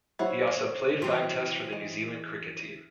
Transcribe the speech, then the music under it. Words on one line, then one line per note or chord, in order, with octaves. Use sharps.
He also played five Tests for the New Zealand cricket team.
F#3 E4 C5 C#5 F#5
E3 C4 F#4
G#3